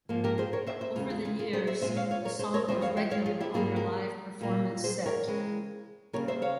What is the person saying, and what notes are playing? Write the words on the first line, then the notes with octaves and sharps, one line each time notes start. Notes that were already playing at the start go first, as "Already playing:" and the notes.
Over the years, the song was regular on their live performance set.
G#2 F3 A#3
G4 A#4
G#4 C5
A#4 C#5
C5 E5
C5 E5
E2 C#3 G3 F4 G#4
F4 G#4
F4 G#4
F4 G#4
G#4 C5
C5 E5
A#2 G#3 C4 C5 E5
C#5 F5
C#5 F5
A#4 C#5
G#4 C5
A#4 C#5
F2 E3 G3 C4 C5 E5
C#5 F5
E5 G5
C#5 F5
F4 G#4
E4 G4
G#2 G3 A#3 F4 G#4
G4 A#4
A#2 G3 A#3
G#4 C5
A#4 C#5
C#3 E3 G#3 C4
C#3 G3 A#3 A#4 C#5
C5 E5
C#5 F5